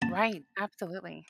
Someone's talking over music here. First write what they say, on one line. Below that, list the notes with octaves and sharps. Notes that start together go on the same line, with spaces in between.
Right. Absolutely.
A5